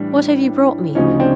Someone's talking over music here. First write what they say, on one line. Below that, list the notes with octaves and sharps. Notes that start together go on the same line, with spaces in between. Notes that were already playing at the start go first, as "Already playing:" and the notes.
What have you brought me?'
Already playing: A2 E3 G3 D4
D2 C#3 F3 C#4 D#4
C4 D4